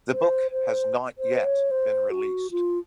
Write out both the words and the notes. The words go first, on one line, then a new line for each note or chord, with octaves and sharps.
The book has not yet been released.
C5
C5
C5
C#5
C5
F#4
F4